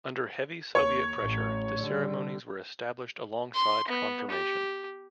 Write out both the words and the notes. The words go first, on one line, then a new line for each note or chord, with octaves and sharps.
Under heavy Soviet pressure the ceremonies were established alongside confirmation.
D#2 C#5 C#6
A1 A2
D3 G3
C6
B3
G4